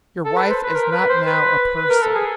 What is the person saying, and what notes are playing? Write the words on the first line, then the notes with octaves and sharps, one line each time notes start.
Your wife is not now a person.
A4
B4
C5
B4
A#4
B4
C5
B4
B4
A#4
A4
G#4